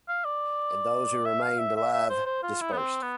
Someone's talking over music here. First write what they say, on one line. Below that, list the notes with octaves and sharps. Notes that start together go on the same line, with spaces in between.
Those who remained alive dispersed.
F5
D5
E5
F5
E5
E5
E5
C5
C5
F4
E4
B3
C4
B3